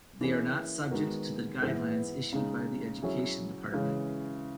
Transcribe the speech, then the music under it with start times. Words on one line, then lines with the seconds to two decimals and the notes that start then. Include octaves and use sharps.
They are not subject to the guidelines issued by the Education Department.
0.21 E3 A#3 C#4 G#4
0.91 D#3 G#3 B3 F#4 A#4
1.62 G#2 E3 B3 E4 G#4
2.32 C#3 G#3 D#4
3.02 F#3 C#4 E4 G#4
3.73 C#3 E3 G#3 C#4